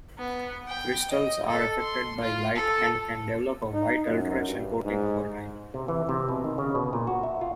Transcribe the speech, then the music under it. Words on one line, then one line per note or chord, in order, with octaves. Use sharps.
Crystals are affected by light and can develop a white alteration coating over time.
B3
G5
D#5
A4
C6
F4
A4
D#4
F#2
G2
G#2
C3
E3
C3
B2
D#3
C#3
B2
A#2
F#4
E5
F4